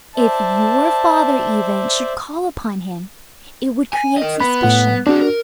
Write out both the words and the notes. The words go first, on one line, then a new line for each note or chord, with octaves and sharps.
If your father, even, should call upon him it would create suspicion.
C5 D5 E5 A5
G#5
A#4 D#5
B3 B5
A2 F#5
C4 D4 F#4 G#4
A#4